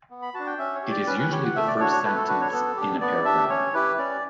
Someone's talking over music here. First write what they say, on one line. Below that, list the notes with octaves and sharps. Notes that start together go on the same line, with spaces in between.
It is usually the first sentence in a paragraph.
B3
B5
F#4 A5
D4
G5
C#4 E5
C#5
G4
D5
C#4 B4
B4
G4 C#5
F#5
A3 E5
D5
D4 F#4 C#5
C#5
A3 B4
A4
D4 F#4 B4
C#5
B3 A4
D4 G4
B3 D5
D4 G4 E5
C#4 C#5
E4 G4 B4
C#4 D5